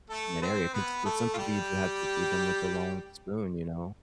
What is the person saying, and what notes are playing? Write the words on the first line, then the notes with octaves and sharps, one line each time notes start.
from that area 'cause with some people, you do have to feed them with a long spoon, you know?
A3 A4
C4 C5
B3 B4
A3 A4
F4
G3 G4